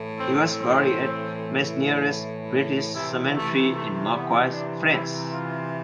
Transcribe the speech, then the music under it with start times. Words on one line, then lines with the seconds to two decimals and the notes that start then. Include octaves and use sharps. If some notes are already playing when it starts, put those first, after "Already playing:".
He was buried at Masnieres British Cemetery in Marcoing, France.
Already playing: A2 E3
0.19 C4
0.58 C4
2.95 C3 E3 E4
3.35 A3
3.74 A3
4.13 B3
4.52 D4
4.91 E4
5.31 F4